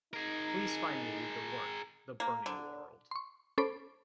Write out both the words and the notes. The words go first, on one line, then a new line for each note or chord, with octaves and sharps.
Please find me the work, The Burning World.
D#4 G#4 A#4
A#3
D3
C6 C#6
C#4 A4 C5 B5 D6 D7